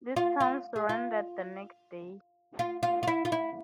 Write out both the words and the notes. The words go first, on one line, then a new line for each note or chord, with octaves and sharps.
This town surrendered the next day.
F4
F4
G#4
F4
F4
F4
F4
E4
F4
E4